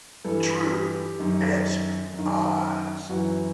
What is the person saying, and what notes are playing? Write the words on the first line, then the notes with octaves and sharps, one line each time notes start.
"True," answered Oz.
G2 E3 A4
G4
F#2 D#3
F#2
D#3
F#2 E3 F#4